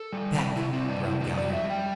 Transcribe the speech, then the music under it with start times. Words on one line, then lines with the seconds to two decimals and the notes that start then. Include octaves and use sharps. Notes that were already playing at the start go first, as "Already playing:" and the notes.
"Back!" growled Galliard.
Already playing: A4
0.12 G3
0.34 C3
0.56 C3 E4
0.73 G3 C4
0.88 D4
0.99 C3
1.04 E4
1.21 G3 D4
1.37 G3 D5
1.53 E5
1.64 G3
1.70 G5